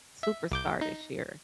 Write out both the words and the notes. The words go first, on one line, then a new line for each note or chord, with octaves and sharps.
superstar this year.
E5
C2 D6 G6
D#4